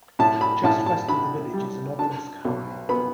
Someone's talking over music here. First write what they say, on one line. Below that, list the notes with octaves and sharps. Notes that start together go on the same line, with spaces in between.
Just west of the village is an obelisk high.
A2 A5
B5
A2 A5
A5
D4 B5
G3
D4 A5
B1
B3 B5